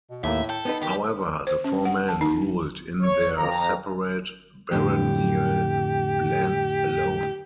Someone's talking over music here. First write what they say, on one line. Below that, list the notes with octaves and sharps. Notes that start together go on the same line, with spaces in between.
However, the four men ruled in their separate baronial lands alone.
B2
D#2 A2 A3 A#3 E5
A4 G5
B3 D#4 B4
D#3 G4
C5
C#4
F#5
A5
D#4
C#5
F2 A#5
F2 A2 D3 G4